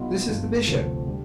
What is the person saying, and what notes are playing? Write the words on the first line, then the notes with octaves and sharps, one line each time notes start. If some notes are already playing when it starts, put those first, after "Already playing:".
This is the Bishop.
Already playing: B1 B2 G3 B3 F4
G1 G2 D3
D2 C3 F3 A3 C4
D3 G3